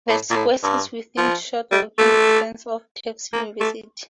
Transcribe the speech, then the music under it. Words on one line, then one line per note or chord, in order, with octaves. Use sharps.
The square is within a short walking distance of Tufts University.
A2
A#2
A2
G2
F3
G3
A3
A#3
A3